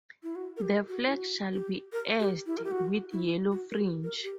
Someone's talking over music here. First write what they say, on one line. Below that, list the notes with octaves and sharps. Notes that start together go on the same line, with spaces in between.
The flag shall be edged with yellow fringe.
E4
F#4
A#4
G4
F#4
E4
F#4
G4
A#4
G4
E4
A#4
G4
F#4
E4
F#4
A#4
G4
A#4
G4